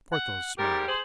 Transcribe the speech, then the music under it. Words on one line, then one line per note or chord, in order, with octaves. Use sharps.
Porthos smiled.
F#5
G#2 G3 G4 A#4 A6
G#4 C5 F#7